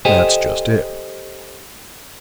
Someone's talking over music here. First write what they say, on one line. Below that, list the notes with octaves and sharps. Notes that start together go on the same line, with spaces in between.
"That's just it."
G4 A4 C5 D#5 G5 G#5